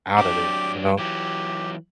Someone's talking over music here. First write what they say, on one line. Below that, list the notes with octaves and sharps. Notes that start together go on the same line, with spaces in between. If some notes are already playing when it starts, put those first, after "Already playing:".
out of there, you know?
F#3 D4 G4 D6
E3 F#3 G4